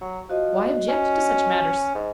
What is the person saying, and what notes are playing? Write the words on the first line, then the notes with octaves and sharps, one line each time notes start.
Why object to such manners?
F#3
F3 F#4 D#5
C#4
G#2